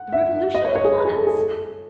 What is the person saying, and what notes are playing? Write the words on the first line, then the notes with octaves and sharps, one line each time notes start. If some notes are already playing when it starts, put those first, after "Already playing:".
The revolution of the planets.'
Already playing: F#5
E5
D#5
C#5
C#5
G#4
G#4
A4
G#4
A4